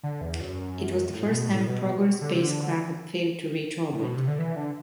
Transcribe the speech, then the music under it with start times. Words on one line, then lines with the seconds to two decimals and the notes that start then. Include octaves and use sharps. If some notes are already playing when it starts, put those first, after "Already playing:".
It was the first time a Progress spacecraft had failed to reach orbit.
0.03 D3
0.21 E2
0.41 F#2
1.12 A2
1.30 B2
1.48 A2
1.67 B2
2.21 D3
2.32 C3
2.42 D3
3.93 A2
4.03 B2
4.15 C3
4.27 D3
4.39 E3
4.56 D3